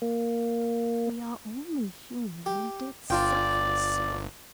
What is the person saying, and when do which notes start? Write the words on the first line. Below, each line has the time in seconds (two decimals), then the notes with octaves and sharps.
We are only human, and did suffer so.
0.02 A#3
2.46 G4
3.10 G1 D4 F4 D5 G5